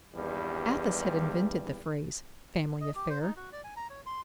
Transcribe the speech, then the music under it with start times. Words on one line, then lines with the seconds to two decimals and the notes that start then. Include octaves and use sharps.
Athos had invented the phrase, family affair.
0.15 G#1 E2 G2 G3
2.81 D#5
2.95 G4
3.10 C5
3.22 D#4
3.37 F#4
3.53 D5
3.64 G#5
3.77 A#5
3.90 C#5
4.06 C6